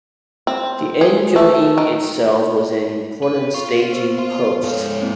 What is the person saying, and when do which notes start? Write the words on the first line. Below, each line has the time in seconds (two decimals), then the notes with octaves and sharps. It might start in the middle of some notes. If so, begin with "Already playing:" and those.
The Angel Inn itself was an important staging post.
0.47 C4
1.01 G#4
1.36 A3
1.78 D#3
3.23 B4
3.54 F4 C#6
3.93 B3 C5
4.18 F5 C6
4.64 G#2 A4 C#5 F5
5.00 A#3 C4 E4